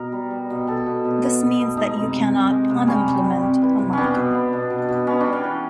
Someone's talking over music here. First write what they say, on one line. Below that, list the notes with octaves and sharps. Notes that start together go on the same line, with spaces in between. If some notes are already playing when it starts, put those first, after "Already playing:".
This means that you cannot "unimplement" a marker.
Already playing: B2 A#4
G3
G3
B2
B2 A4
B2
B2
B3
B2
B2
G#3 D#4
C3
C3
C3
G#3
C3
G3 C#4
C3
G3
C3
E3
C3
B3 C#4 D4
B2
B3
B2
B2
B2
B3 C#4
D4
G3
C#4
E3